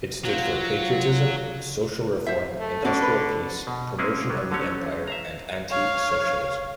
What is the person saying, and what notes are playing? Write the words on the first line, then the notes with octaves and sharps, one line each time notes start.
It stood for patriotism, social reform, industrial peace, promotion of the Empire and anti-socialism.
F#3 F4
C5 E5
A3
D3 C#4 F#4 D5
B4
B2
G#3 A#3 C4 C#4 E4 G#4
F#3 G3
D3 F#3 A3 C#4 C#5
E5 F5 A#5
C#5 F5